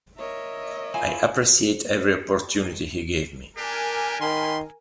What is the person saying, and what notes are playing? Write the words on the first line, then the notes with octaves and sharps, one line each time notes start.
I appreciate every opportunity he gave me.
A#4 C#5 D#5 E5
E4 F4 G#5
D4 G4 A#4 G#5
D#3 B5 C6